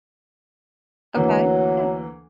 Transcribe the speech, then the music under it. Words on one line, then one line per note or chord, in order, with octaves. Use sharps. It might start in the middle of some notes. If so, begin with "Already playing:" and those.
Okay, yeah.
D2 E3 F#3 A#3